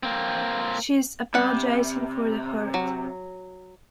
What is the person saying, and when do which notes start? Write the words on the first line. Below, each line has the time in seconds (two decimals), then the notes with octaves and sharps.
She is apologising for the hurt.
0.03 A#3 C4
1.34 C3 G3 F#5
2.74 F#3